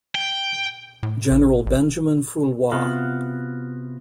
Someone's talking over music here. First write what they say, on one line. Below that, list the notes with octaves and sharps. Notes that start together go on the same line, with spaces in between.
General Benjamin Foulois.
G5
A2
A1
A1
C3 B3 F4 F#4